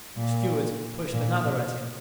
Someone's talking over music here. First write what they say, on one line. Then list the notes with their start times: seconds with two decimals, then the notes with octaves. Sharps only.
The stewards pushed another at him.
0.17 A#2
1.13 A#2
1.45 B2